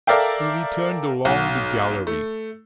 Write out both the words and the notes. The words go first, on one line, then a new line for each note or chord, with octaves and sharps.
We returned along the gallery.
A4 A#4 D5 E5 F5 G5
B1 F#4
A3